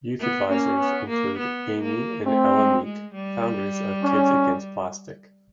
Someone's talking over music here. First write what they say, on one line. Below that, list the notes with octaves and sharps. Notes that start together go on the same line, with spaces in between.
Youth Advisors include Amy and Ella Meek founders of Kids Against Plastic.
B3
A#3 C#4
B3
A#3
B3
A#3
A3 C4
G#3
G#3
G3
C#4